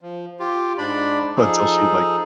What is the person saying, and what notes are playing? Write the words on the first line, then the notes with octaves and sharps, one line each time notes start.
until she, like
F3
F4 G4
G#2 D4 D5 B5
F3 D#4 G#4 A4